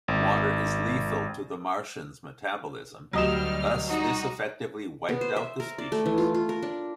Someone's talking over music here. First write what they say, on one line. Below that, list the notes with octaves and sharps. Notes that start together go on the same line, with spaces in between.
Water is lethal to the Martians' metabolism, thus this effectively wiped out the species.
G#1
D2 F#3 G3 D#5 F6 E7
G3 D#4 F#4
B3
C5
E5
A#4
D5
A3
E3
F4
F4
A#4
D4